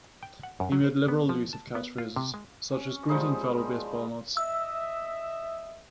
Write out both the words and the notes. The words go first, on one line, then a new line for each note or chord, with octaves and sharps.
He made liberal use of catchphrases, such as Greetings fellow baseball nuts!
G5
F#5
F#2
F#3
C5
B3
F3
A5
B3
F4
C3
G#3
C#4
F3 G3 G#3 D#4
D#5 E5 E6